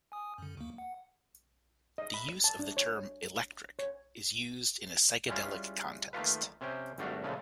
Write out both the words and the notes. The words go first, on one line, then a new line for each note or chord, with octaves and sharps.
The use of the term "electric" is used in a psychedelic context.
G#5 D#6
F#2 D3
D2 A#3
F#5
D#5
B5
A5
D4
C#5
C#5
G3 G#3 C#4 E4 F4
D#3 A3 A#3 F4 B4
C3 C#4 C5 G5
G#1 G3 A3 D4 F#4 F5
A#2 C#3 F3 G#3 A3